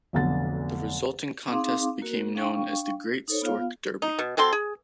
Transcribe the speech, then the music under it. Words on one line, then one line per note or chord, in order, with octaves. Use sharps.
The resulting contest became known as the Great Stork Derby.
F1 B1 D3 A6
C4 D#4 G#4 F5 C6 D6
A#3 F#4 A#4
D4 F5 G5 C#6
D#4 A4 C5 C#5
B3 F4 F5
D#4
B2
F#3 C4 A4 C6
G#4